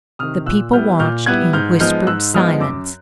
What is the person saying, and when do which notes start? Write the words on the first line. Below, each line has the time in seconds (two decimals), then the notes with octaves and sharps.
The people watched in whispered silence.
0.19 C3 D#3 D#6 F6
0.46 A#2 E6 F#6
0.73 G3 B3 E4 F6 G6
0.99 A#2 F6 G6
1.26 G3 B3 E4 F#6 G#6
1.53 G#2 F6 G6
1.80 F3 G#3 B3 D#4 F6 G6
2.07 G#2 E6 F#6
2.34 F3 G#3 B3 D#4 D#6 F6
2.60 F#2 D6 E6